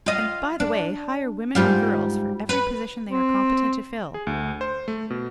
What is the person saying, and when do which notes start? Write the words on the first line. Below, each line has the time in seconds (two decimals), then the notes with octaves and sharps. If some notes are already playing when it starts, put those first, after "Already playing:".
And, by the way, hire women or girls for every position they are competent to fill.
0.06 F4 D#5
0.60 D4
1.55 G#2 G3 F4
2.49 B4
3.08 C4
4.14 G#4
4.27 D2
4.61 C5
4.88 A3
5.10 B2